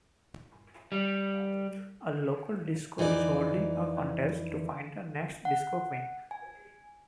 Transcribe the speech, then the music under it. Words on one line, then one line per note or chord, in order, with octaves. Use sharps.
A local disco is holding a contest to find the next Disco Queen.
G3
F2 E3 D#4 F#4 D5
F#5
G#5